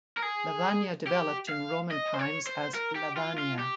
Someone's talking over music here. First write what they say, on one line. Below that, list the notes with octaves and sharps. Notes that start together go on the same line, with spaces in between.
Lavagna developed in Roman times as Lavania.
A#4
G#4
G4
F5
D#5
C5
C#5
C5
A#4
G4
F4
F4
G4